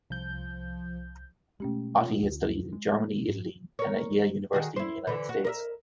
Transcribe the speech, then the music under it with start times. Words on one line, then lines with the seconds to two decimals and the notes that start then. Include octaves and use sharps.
Otte had studied in Germany, Italy, and at Yale University in the United States.
0.10 C2 F3 G6
1.60 B2 G#3 A3 C#4 G4
2.01 F4
2.23 D2
2.73 G#3
3.29 G#2
3.79 A#4 C#5
4.53 D#3 F#4 G#4
4.76 E4 C5
5.07 D3 E3
5.29 F#4
5.45 A#4 D#5 E5